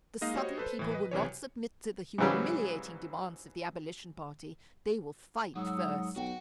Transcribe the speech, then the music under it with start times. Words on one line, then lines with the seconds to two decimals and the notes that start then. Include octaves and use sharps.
"The Southern people will not submit to the humiliating demands of the Abolition party; they will fight first."
0.21 G#3 A#3 D#4 D#5 F5
0.34 G3 F#4 C5 C#5 D#5
0.58 A4 B4 C5
0.79 A2 E3
0.91 B4 D#5
1.11 B1 C3 E3 C#5
2.18 G#2 C#3 E3 F#3 G3
5.55 G#2 F#3 F#5 D#6 E6
6.16 B1 F#4 F#5 G5